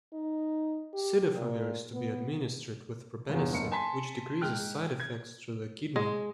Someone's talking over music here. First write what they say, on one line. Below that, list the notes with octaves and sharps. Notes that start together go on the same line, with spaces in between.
Cidofovir is to be administered with probenecid which decreases side effects to the kidney.
D#4
G4
A#2
B3
G1 E2
F#1 C#7
G#5 A5 C6 B6
G#2 G5 F6 F#6
G#6
G#3